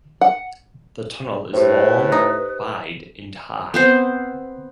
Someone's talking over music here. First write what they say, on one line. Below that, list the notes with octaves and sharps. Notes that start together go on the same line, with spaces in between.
The tunnel is long, wide, and high.
F#5
A2 G4 B4 C5
D#4
B3 C4 C5